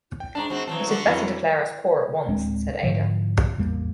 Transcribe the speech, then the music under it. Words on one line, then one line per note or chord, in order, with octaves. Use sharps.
"It had better declare us poor at once," said Ada.
G5
G#2 D4 A5 A#5
G#2 C4 F#4
E3 F#3 C4 A5
D3 D4 F#4
F2 E3 F#3
D1 G#3 C4 D4
G#2 D3 F3
A1 E2 G3 A#3